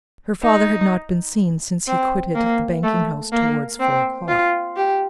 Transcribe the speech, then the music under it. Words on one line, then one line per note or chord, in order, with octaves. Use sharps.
Her father had not been seen, since he quitted the banking-house towards four o'clock.
D#4
C4
A#3
A3
A#3
C4
F4
G4